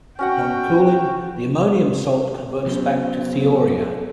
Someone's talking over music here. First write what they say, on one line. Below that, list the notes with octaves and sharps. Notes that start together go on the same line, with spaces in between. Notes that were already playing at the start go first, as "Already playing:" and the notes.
Upon cooling, the ammonium salt converts back to thiourea.
C#4 F#4 F#5 G5
F#3 B3 C#4 C5
A4